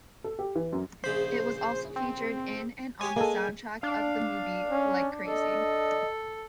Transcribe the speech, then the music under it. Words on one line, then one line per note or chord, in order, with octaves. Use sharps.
It was also featured in and on the soundtrack of the movie "Like Crazy".
A4
G4
E3
F#2
A#1 C#3 C5 B5
C4
G4 C#5 G#5
G#3 A#3 A4
D4 F5
C#4
A4 D#5